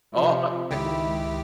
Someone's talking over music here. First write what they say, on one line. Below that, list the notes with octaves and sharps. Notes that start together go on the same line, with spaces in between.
Oh, okay.
C3 F3
C#2 G#2 D#3 E4 G4